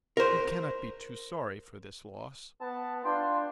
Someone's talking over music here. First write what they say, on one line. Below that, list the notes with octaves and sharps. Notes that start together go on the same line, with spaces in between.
We cannot be too sorry for this loss.
A#4 C5
B3 A5
D4 F4 G5 C6